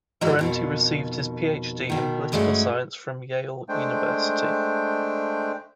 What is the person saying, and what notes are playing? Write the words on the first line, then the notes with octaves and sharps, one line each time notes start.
Parenti received his PhD in political science from Yale University.
G#2 E3 F#3 G#3 D#4
F2 B2 D#3
B2 D#3
G2 G#3 A3 C#4 F#4
G#3 A3 D4 C5 G5